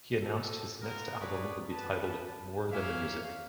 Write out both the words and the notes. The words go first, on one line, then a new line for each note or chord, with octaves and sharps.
He announced his next album would be titled "More Than the Music".
A4
B3 D#4 F4 A#4
D4 D#4 G#4 B4 C#5 D5
B4 A5
A#3 C#4 E5 F5